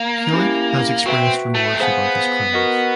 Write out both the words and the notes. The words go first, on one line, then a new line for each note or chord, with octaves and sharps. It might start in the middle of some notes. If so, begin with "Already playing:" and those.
Killick has expressed remorse about his crimes.
Already playing: A#3
C#4 E4 G4
C4 F#4 B4 E5 G5
A3
C4
B3 G#4 C5 F5 G#5
F#4 A#4 D#5 F#5